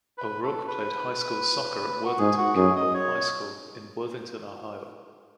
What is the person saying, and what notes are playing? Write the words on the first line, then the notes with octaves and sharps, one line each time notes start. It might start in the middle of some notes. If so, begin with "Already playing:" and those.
O'Rourke played high school soccer at Worthington Kilbourne High School in Worthington, Ohio.
B4
A4
B4
F#4
G#2 G#4
F#4
F#2 G#4
D#5
C#5